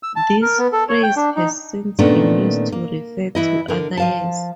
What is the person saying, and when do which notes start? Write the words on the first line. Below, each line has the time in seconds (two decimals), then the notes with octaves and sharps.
This phrase has since been used to refer to other years.
0.03 E6
0.16 A5
0.42 A#4
0.59 B3
0.72 A4
0.89 C#5
1.03 G5
1.16 D4
1.36 D#4
1.99 A#2 D#3 A3 B3 C#4 D4
2.72 A#3
3.35 E3 E4 D#5
3.68 D3 A#4
3.97 F3 F5 A5